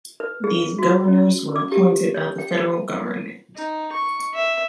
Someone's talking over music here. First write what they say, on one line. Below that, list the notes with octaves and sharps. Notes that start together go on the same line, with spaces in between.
These governors were appointed by the Federal government.
B4
G#4
F#4
C#4
D6
G4
C#5
G5
D#4
C#6
E5